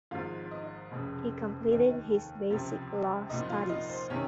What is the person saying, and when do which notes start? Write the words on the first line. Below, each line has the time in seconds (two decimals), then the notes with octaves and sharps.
He completed his basic law studies.
0.11 G#1 G#2 F3 F4 F5
0.51 D#4 D#5
0.91 F1 F2 C#3
1.71 D#2 D#3
2.50 C#2 C3 F3
3.29 C2 A#2 F3 D#4 D#5
3.50 F4 F5
3.69 D#4 D#5
3.89 C5
4.10 C3 D#3 C#4 C#5